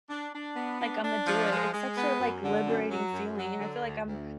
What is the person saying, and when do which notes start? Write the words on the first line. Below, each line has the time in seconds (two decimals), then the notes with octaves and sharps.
like Imma do it. It's such a like liberating feeling and I feel like I'm
0.09 D4
0.33 D4
0.56 B3
0.79 D4
1.03 D4
1.26 F3
1.50 G#3
1.73 G#3
1.96 B3
2.19 F#2
2.43 D3
2.66 F#2
2.89 F#3
3.13 F#2
3.36 F#3
3.60 D3
3.83 D2
4.06 D2